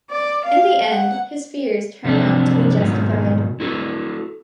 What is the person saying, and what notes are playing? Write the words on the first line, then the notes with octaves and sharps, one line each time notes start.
In the end his fears turn out to be justified.
D5
F5
F#5
C3 F3 F#3 C4 D4
G#2 B2 D#3 F#3
E4 F#4 A4